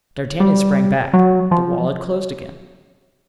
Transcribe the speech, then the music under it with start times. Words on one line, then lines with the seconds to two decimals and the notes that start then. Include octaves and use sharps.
D'Artagnan sprang back; the wall had closed again.
0.40 G3
1.13 F#3
1.51 F3